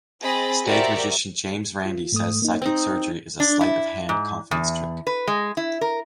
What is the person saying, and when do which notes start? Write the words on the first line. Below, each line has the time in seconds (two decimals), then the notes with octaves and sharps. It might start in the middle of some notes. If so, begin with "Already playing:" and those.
Stage magician James Randi says psychic surgery is a sleight of hand confidence trick.
0.22 C4 G#4 D#5 B5 A6
0.65 F#4 G4 A#4 C5 D5 E5
1.85 F4
2.12 G#2 A3 D#6
2.42 A#3 D#4
2.62 C4 D#4 G5
3.40 D4
3.61 E4
4.09 G#2
4.51 E2
5.07 B4
5.27 G#3
5.57 E4
5.81 A#4